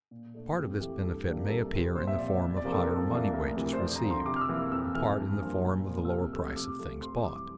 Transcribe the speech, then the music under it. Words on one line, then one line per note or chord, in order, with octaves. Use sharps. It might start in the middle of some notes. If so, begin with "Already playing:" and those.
A part of this benefit may appear in the form of higher money wages received, a part in the form of the lower price of things bought.
A#2
A3 D4
F2 G4
E3 A3 G4
G2 A4
E3 A#3 D4 G4
A#4
C2 A4
C3 G3 C4
A#2 C5
E5
F3 C4 D5
E2
D5
C3 F3 A#3 D4 A#4
A4
F2 A4
E3 A#3 D4
D2 A#4
C3 E3
C5
F2 D5
A#5
D3 F3
C6
C3 D6
F6
E6
E3 A#3
F6
F2 E6
E3 A3 F6
G2
F3 A#3 D4
A#2
F3 A#3
E6
C3 F6
F3 A3 E6
C3 D6
F3 A3 C4
F2 C6
E3 G3 D6